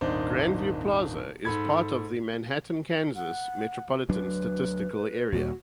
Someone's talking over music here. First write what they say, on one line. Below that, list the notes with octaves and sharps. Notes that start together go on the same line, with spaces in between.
Grandview Plaza is part of the Manhattan, Kansas Metropolitan Statistical Area.
D#1 G#1 D4 D#4 C5
G#2 A4 B5 G#6
F#5
D2 F#3 D4 B4
D#2 A#2 G3 F#4